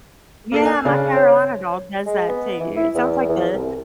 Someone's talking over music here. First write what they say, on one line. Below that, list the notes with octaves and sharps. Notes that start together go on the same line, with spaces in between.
Yeah, my Carolina dog does that too. It sounds like the
A#3 A4 C7
D4 G#5
C#3 C#4 D4
C5 C#5
G#3
B3
E3
E4
E2
E2
C2